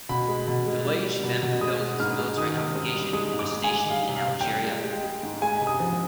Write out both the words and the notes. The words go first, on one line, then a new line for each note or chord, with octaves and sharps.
Delage then fulfilled his military obligation and was stationed in Algeria.
B2 B5
G#3
B2
G#3
G3
G3
B2
B2
G#3 D#6
G#3
G#2 F6
G#3
D#3 D#6
C3
C3 D#6
G3
G#3 D#6
G#2
D6
G#3
G#5
G#3
G3 F5
C3
F5
C3
G5
G3
G#3
G#3
G#3
G#2
G#3 G#5
C3
D#6
F3